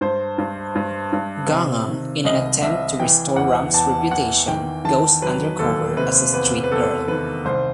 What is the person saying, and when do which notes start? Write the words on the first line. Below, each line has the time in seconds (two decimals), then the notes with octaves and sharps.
Ganga, in an attempt to restore Ram's reputation, goes undercover as a street-girl.
0.01 G2 C5
0.38 G2
0.75 G2
1.13 G2
1.50 C3
1.88 D#3
2.24 C2 D#5
2.62 C2 E5
2.99 E3 G5
3.36 E2 F#5
3.74 E2 A5
4.11 E3 F#5
4.48 D#3 G5
4.85 D#3 A5
5.22 F#3 B4
5.59 D#2 A4
5.97 C3 B4
6.34 E2 B4
6.64 B4
6.71 E2 A4
7.08 D#3 B4
7.45 C2 C5